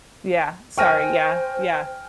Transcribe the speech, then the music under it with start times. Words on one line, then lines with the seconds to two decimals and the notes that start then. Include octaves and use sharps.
Yeah. Sorry, yeah, yeah.
0.78 C5 G5 G#5 C#6 F6 A#6 D#7